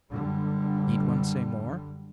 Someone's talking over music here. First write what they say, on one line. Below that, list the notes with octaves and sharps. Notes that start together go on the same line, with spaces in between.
Need one say more?
F#2 D3 G3